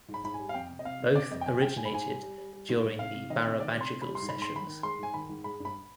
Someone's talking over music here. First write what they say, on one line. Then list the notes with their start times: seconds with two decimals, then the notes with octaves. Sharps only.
Both originated during the "Barabajagal" sessions.
0.08 G#2
0.14 B5
0.24 G#2 B5
0.34 G#5
0.39 G3
0.49 F5
0.54 F2 G5
0.70 C3
0.79 D#5
0.85 C3 F5
1.00 C3
1.15 C3 D5
1.31 F2 D#5
1.41 G5
1.46 C3 G#5
1.57 G#5
1.62 G#3 G5
1.77 G#2 G#5
1.85 B5
1.92 G#2 G#5
2.08 G3
2.23 G3
2.38 G3
2.53 G3
2.69 G#2
2.85 G#2
2.99 C3 F5
3.15 C3
3.30 D#3 D#5
3.46 C3
3.60 D#3 D5
3.76 C3 C6
3.91 C3
4.02 G3 B5
4.15 C6
4.22 G#2
4.29 B5
4.37 G#2
4.42 C6
4.52 D#3 B5
4.67 D#3
4.83 G#3 C6
4.99 G#2 G#5
5.14 D#3 B5
5.29 G#2
5.44 G#3 B5
5.60 G2
5.65 B5